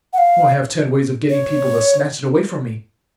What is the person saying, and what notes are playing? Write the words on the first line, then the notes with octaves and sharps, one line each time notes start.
I have ten ways of getting people to snatch it away from me.
F#5
F5
C#5